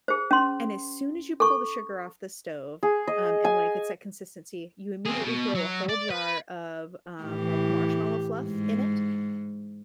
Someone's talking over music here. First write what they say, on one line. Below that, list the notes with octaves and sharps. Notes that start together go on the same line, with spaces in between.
and as soon as you pull the sugar off the stove, um, and when it gets that consistency, you immediately throw a whole jar of, um, like, marshmallow fluff in it,
G#4 C5
C#4 C6
A4 C#6
G#4
D#5
G#5
C4 G#4
B2
F#3
D5
B4
A2 E3 G4
G#2